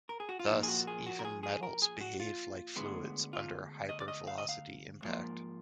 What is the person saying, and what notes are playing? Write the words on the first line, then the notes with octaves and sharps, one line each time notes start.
Thus, even metals behave like fluids under hypervelocity impact.
A#4
G#4
F#4
F4
A#2 F3 A#3 D#4
G#4
F#4
G#4
F#4
A#4
G#4
G#4
A#4
G#4
F#4
F4
D2 D3 G#3 B3
F4
D#5
D5
D#5
F5
D#5
F5
G#2 F3 A#3